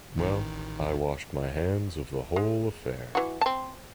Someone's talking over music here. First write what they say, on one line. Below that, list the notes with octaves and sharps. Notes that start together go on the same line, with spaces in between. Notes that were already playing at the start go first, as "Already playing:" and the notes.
Well, I wash my hands of the whole affair!
A1 D#3
G#3
E3 F#4
C4 A5